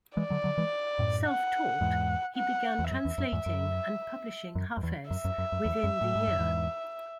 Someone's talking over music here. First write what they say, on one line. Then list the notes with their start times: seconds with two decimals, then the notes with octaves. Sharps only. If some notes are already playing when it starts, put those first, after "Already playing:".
Self-taught, he began translating and publishing Hafez within the year.
0.17 E3 G#3 D5
0.30 D3 F#3
0.44 D3 F#3
0.58 E3 G#3
0.99 F#2 A2
1.27 F#5
1.81 E2 G#2
2.36 F#5
2.79 E2
2.91 F#2 E5
3.05 E2
3.18 F#2
3.32 E2 G#2
3.46 F#2
4.55 F#2
4.77 F#2
4.83 E2
5.11 F#2 E5
5.25 F#2
5.38 F#2
5.52 F#2
5.65 E2
5.84 F#2
6.01 A2
6.15 G#2
6.28 F#2
6.39 E2 G#2